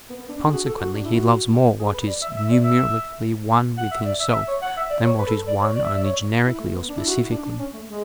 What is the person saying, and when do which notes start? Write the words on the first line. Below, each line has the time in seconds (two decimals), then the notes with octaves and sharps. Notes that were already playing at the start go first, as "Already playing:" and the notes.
Consequently he loves more what is numerically one with himself, than what is one only generically or specifically.
0.10 B3
0.20 B3
0.28 D4
0.39 D4
0.48 G#4
0.52 F#4
0.66 A4
0.80 F#4
0.95 D4
1.04 E4
1.14 F#4
1.79 G#4
1.94 B4
2.07 D5
2.22 E5
2.37 E5
2.51 D5
2.64 E5
3.78 F#5
3.91 E5
4.06 D5
4.20 E5
4.33 E5
4.48 C#5
4.62 F#5
4.77 E5
4.90 D5
5.04 C#5
5.18 B4
5.27 A4
5.47 D5
5.61 C#5
5.75 D5
5.85 E5
5.95 D5
6.03 C#5
6.46 E4
6.59 A3
6.74 B3
6.89 D4
6.97 E4
7.07 F#4
7.16 E4
7.31 D4
7.45 D4
7.59 C#4
7.73 A3
7.87 G#3